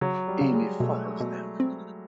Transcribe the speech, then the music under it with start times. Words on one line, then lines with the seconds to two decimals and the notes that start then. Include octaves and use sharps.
Amy follows them.
0.01 C#3 F#3
0.28 G3
0.41 C#3
0.54 G#3
0.80 B2 A3
1.21 B2
1.60 C4